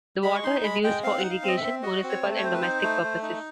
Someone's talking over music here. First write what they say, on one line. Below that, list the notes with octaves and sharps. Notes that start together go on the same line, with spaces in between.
The water is used for irrigation, municipal and domestic purposes.
G#3 B5
C#6
D#4 C6
G#3 B5
G#3 G5
C4 F5
D#4 F#5
F5
C4
D#5
E5
C4
F#4 D#5
C4
C#5
A3
C#5
C4 C5
B4
D#4 C5
A3
A3
D#4